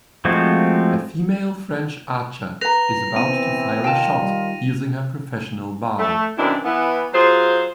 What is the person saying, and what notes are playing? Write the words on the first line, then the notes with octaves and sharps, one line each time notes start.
A female French archer is about to fire a shot using her professional bow.
F3 G#3 A3 C4 F#4
B4 A#5 A#6 F7
E3 B3 C4 D#7
D#3 F4 G5 A5
G3
A3
F#2 B2 D#3 C4 D4 E4
E3 B3 E4
F#3 F4 G#4 C5